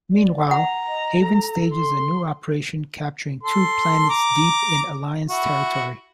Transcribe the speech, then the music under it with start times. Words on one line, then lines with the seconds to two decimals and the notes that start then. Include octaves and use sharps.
Meanwhile, Haven stages a new operation capturing two planets deep in Alliance territory.
0.12 D5
0.51 F#5 A#5
0.87 D#5
1.20 A4
1.73 C6
3.43 A4 C6
4.09 A#5 D6
5.28 E4 F#4